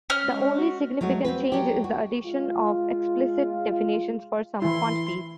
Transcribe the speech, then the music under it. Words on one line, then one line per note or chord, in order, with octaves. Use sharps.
The only significant change is the addition of explicit definitions for some quantities.
C#4 F6
G#3
F#4
F#3 G#3 A3 F#4
C4 F#4 B4
F#3 D4 G4
F#4
G#3 F4
E3 E4 C6